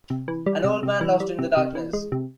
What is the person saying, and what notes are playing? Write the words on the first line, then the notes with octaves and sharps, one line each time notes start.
An old man lost in the darkness.
C3
E3
G3
C3
C3
E3
G3
C3
C3
E3
G#3
C3